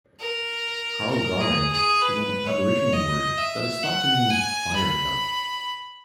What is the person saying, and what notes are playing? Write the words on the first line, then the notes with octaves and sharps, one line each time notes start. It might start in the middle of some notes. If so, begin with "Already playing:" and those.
Karlgarin is an Aboriginal word that is thought to mean "fire hill".
A#4
A#4
G#4
G#4
B4
C#5
D#5
E5
F#5
G#5
B5